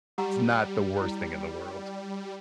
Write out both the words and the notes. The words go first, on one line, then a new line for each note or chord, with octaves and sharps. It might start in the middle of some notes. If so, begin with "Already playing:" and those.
it's not the worst thing in the world.
G3 G4 F#5 A#5
E4